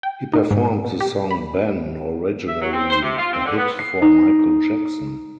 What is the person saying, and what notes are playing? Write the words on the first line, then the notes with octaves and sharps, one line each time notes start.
He performed the song "Ben", originally a hit for Michael Jackson.
G5
D#4
G#2
B2
G4
B5
E5
F#3
C4
C5
C3
F4
C4
D3
B3
C7
D#4